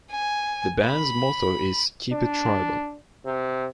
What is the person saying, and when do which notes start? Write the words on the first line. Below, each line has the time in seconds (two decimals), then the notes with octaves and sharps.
The band's motto is "Keep it Tribal".
0.12 G#5
0.86 B5
2.12 D4
3.25 C3